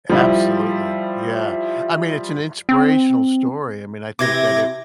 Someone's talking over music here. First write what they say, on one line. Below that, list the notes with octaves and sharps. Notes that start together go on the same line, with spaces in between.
Absolutely, yeah. I mean, it's an inspirational story. I mean, I think that if
F3 G3 E4
C4
C3 E3 G4 D6 G#6 A#6